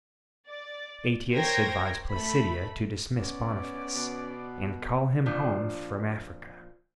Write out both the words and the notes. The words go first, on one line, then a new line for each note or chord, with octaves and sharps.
Aetius advised Placidia to dismiss Boniface and call him home from Africa.
D5
A#4 C5 C#5 G5 G#6 A#6
A3 B5
B3 C#4 D5
B2
A#2 F3 D4